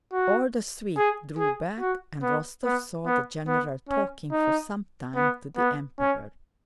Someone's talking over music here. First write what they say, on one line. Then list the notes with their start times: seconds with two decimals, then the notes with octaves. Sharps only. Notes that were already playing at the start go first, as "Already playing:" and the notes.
All the suite drew back and Rostov saw the general talking for some time to the Emperor.
0.12 F#4
0.97 G#4
1.38 G#4
1.80 F#4
2.23 B3
2.64 B3
3.06 B3
3.47 B3
3.89 C#4
4.32 D#4
5.16 B3
5.57 B3
5.99 C#4